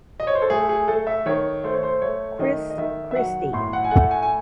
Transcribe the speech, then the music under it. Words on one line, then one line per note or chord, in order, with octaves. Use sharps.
Chris Christie.
D#5
C#5
C5
A4
A3 G#4
G#4
A3 A4
E5
D#3 C#5
A3 C5
C#5
C5
A3 C#5
D#3 D#5
D#5
D#3 E5
E5
F#3 F#5
A2 C6
F#5
G#5
A3 F#5
G#5
G#5